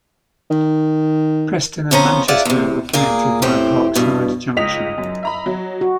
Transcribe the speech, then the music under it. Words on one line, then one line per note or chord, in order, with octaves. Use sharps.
Preston and Manchester were connected via Parkside Junction.
D#3
F2 B3 C#4 C5 A#5
F4 G#4 D5 E5 F#5
E2 C3
A#2 A#3 G#4
A2 E3 C4 G4
G2 B2
C#2 D#5 B6 F7
F#2
E5 A#5 B5
F#3
F#4